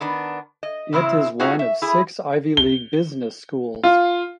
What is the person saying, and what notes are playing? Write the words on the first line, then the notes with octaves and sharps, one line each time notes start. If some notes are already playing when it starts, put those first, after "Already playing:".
It is one of six Ivy League business schools.
D#3 B3 D4
D#5
A2 C#3 C4 E4
A3 C#4 D#4 F4 F#4 G#4
E5
E4 G#4
G7
F4